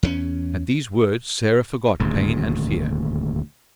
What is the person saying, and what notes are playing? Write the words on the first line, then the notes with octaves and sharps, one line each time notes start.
At these words Sarah forgot pain and fear.
E2 A3 C#4
D#1 D2 G#2